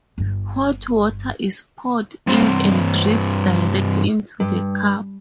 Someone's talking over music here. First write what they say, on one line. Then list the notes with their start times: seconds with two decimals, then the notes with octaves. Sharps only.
Hot water is poured in and drips directly into the cup.
0.18 G1 G2
2.27 G2 C4
4.40 G2